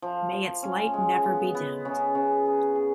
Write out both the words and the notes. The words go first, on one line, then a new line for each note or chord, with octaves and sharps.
May its light never be dimmed.
F3
F3
C#4
G#3
B3
B3
C#3
C#3
G#4
G#4